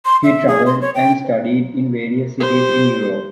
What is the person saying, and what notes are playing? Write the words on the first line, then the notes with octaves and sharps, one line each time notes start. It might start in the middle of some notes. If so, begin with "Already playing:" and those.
He traveled and studied in various cities in Europe.
C6
E5
G#4
C6
C#5
G5
G4 C5